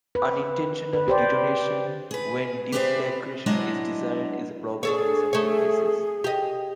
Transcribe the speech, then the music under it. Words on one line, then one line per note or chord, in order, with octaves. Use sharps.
Unintentional detonation when deflagration is desired is a problem in some devices.
B4
B4
G4 C5 D5
G#4 B4
G4 G#4 B4 C5 D5 E5
F#3 G#3 B3 D4 E4 D#5
D4 G#4 A4 C#5
A3 C#5
G4 D#5